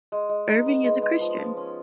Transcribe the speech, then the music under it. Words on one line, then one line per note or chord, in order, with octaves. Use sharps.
Erving is a Christian.
G#3
G#3
D#4
B3
G#3
G#3
F3
F3
C#4